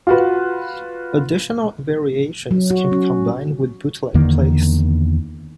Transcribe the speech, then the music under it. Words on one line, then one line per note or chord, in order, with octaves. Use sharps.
Additional variations can be combined with bootleg plays.
F4 F#4 B4
F#3
F#4
C#4
E2 D3 D#3 A#3